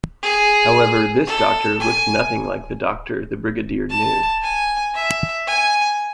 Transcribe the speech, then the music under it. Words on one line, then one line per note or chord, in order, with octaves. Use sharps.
However this Doctor looks nothing like the Doctor the Brigadier knew.
G#4
A4
G#5
A5
G#5
E5
G#5